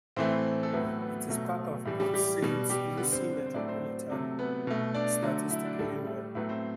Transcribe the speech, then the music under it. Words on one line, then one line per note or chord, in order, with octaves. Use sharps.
It is part of the Port Saint Lucie Metropolitan Statistical Area.
A2 E3 A3 C4 C5
A4
A2 F#3 A3 B3 B4
B3 B4
B3 B4
B2 F#3 A3
A2 E3 G3
G3 G4
G3 G4
B2 G3
G3 G4
D3 G3 B3 B4
C4 C5
C5
A2 F#3 A3 D4 D5
C4 C5
C3 F#3 A3
B3 B4
B2 A3
D4 D5
D3 F#3 A3
E4 E5
D4 D5
A2 G3 A3 A4
A3 A4
A2 F#3 A3 B3 B4
C4 C5